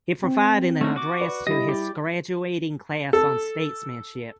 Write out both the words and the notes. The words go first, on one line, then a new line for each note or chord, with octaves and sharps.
He provided an address to his graduating class on statesmanship.
C4
A3 C#4 D#4
F#4 D6
B4 D5
G3 E4 D#5
G4 D5
A4